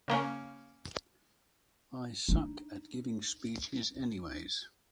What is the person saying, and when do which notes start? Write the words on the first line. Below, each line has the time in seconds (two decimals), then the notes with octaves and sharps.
I suck at giving speeches anyways.
0.08 C#3 A#3 C#4
2.29 D4 D#4